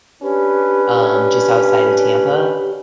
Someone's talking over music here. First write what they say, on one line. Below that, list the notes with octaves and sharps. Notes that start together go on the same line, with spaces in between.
um, just outside of Tampa,
C#4 D4 G4 B4